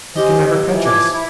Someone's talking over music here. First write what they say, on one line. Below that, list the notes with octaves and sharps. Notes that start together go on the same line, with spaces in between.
He can never catch us.
C#4 G4 C5 D#5
A#2 F#3 A#3
E3 F3
D6 G#6
E4